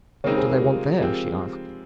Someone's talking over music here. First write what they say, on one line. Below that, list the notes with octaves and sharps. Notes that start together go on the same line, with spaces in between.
"What do they want there?" she asked.
C#3 G#3 C4 D#4 A#4 C#5
G#4 C5
G4 A#4
F4 G#4
F3 G#3 C4 G4 A#4